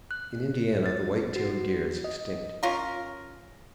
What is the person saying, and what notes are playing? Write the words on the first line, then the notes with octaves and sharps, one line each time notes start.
In Indiana the white-tailed deer is extinct.
F#6
A6
F#4
D#5
C#4 F4 A#4